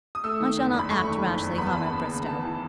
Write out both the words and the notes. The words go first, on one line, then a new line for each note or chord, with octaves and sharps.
I shall not act rashly, Comrade Bristow.
D#6
A3 E6
D#3
F#1
E2
B5
A3 C#6
D#3
F#1
E2
B3 B5
A5
E3 B5
D#2
C#3
B3 A5
E3